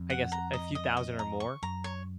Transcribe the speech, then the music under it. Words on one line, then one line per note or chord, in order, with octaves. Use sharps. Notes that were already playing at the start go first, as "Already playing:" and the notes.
I guess, a few thousand or more?
Already playing: F2
F#5
A#5
D#5
D#5
D#5
A#5
C#6
F#2 A#5
C#5